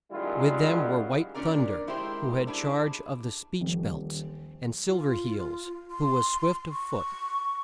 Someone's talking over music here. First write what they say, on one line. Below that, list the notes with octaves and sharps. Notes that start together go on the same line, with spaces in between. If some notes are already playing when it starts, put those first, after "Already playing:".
With them were White Thun-der, who had charge of the "speech-belts," and Sil-ver Heels, who was swift of foot.
F#2 D#3 G3 G#3 E4 F4
A#2 C#4 D4 A#4 D5 A#5
G#3 E4 G4 A#4 C5
D4 E4 G4 G#4
D#1
F4
C6
C#6